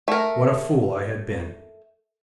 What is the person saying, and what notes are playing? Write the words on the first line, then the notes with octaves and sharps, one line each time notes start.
What a fool I had been!
A3 A#4